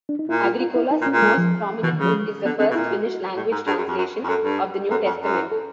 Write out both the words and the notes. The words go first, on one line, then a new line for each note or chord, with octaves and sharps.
Agricola's most prominent book is the first Finnish-language translation of the New Testament.
D4
D#4
A#2 E4
F4
F4
E4
D#4
A#2
C#4
A#2
G#3
F3
B2 E3
D#3
C#3
F3
G#3
D3 B3
D3 C4
B2
A#2 E4
F#4
F#4
A2
G#2
G2 G#4
F#2
F2
F#2
F2
F#2 A4
G2
F#2 A4
F2
F#2
A4